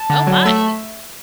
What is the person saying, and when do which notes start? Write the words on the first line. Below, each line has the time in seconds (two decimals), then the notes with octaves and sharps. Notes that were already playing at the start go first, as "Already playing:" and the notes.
Oh my!
Already playing: A5
0.10 D3
0.27 F#3
0.45 A3 E5